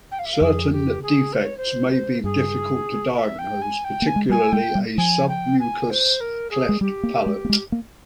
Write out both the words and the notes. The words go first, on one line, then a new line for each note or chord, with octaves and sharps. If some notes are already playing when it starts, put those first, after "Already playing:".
Certain defects may be difficult to diagnose, particularly a submucous cleft palate.
G5
F5
E5
F5
F2 G#4
G4
G#4
C5
C#5
C5
G2 G#4
E5
G5
G#5
G5
A#3 G#5
G#3
G3 G#5
G#3 G5
G3
F3 G#5
G5
G#5
C5
A#4
G#4
G#3
G3 G4
A#3
G#3
A#3
G#3
A#3